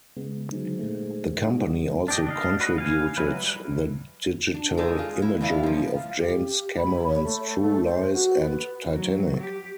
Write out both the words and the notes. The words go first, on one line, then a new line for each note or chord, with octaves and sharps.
The company also contributed the digital imagery of James Cameron's "True Lies" and "Titanic".
C#3 G#3 B3
G#2 D3 F#3
A#2 A3
G3 D#4 D#5
D4 G4 D#5
D4 D#5 F5
F#4 B4
F5 G#5
E3 F#3 B4
G3
D4
A2 C3 D#4 G#4 A4 D5
G#3 F4 G#4
E4
A2 E3 B3 E4 D5 F5
F#2 F3
F5
G4
B5
C#5
A3
A3
C5
F#4
B4
F#3
G4